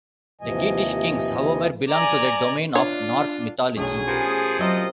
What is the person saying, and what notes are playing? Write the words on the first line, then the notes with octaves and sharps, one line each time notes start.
The Geatish kings, however, belong to the domain of Norse mythology.
D#2 C3 E3 F3 D#5 G#5
D5 G#5 A#5
D4 F4 C#5
B1 A3 C#4 D4 F4 G#4
F3 B3 G4 A#4
F#3 C4 F4 A#4 C5 D#5 E5 A#5